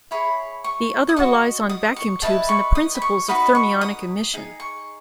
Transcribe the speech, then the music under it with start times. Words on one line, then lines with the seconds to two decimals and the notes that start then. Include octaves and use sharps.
The other relies on vacuum tubes and the principles of thermionic emission.
0.11 E4 G#4 C#5 B5
0.64 C#6
1.09 D#6
1.16 F#4 A4 D#5 C#6
1.69 D#6
1.96 C#6
2.22 E4 B4 D#5 A5
2.49 C#6
2.75 D#6
2.95 B5
3.02 C#6
3.28 D#4 F#4 B4 D#5 B5
3.55 C#6
3.81 D#6
4.34 D#4 G#4
4.60 C#6